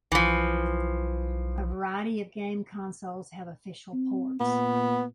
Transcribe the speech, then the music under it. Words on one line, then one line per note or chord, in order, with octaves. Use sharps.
A variety of game consoles have official ports.
B1 E3 F3
C4
A#2 B3